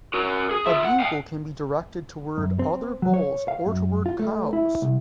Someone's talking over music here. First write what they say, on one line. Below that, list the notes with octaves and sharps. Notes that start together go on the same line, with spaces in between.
A bugle can be directed toward other bulls or toward cows.
F#4 A#4
G#4
F4 E5
F#5
F5 G5
F#2
C4
F#3
C#5
F5
F#2
F4
A3
E4
C2